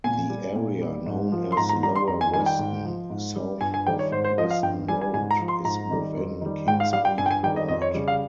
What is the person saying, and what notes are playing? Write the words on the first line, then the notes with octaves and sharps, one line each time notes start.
The area known as Lower Weston, south of Weston Road, is within Kingsmead ward.
A#2 G#5
G3
A#2
G3
G#2
F3
C6
G#2 A#5
A#5
G3 A#5
C6
F2 A#5
G#5
D#3 G3 G#5
G5
G#2
F3
G#2
G3
G2 G#5
G#5
D#3 G3 G5
C#5
G#2 C5
C5
F3 D#5
F5
G2 G5
G3 G#5
G#5
G#2 G#5
A#5
F3
C6
G#2 A#5
D#3 G3
F2
D#3 G3
G#2 G5
F5
G3 F5
G5
G2 G#5
G5
G#5
D#3 G3 G5
D#5
F2 D#5
C#5
C#3 G3
F5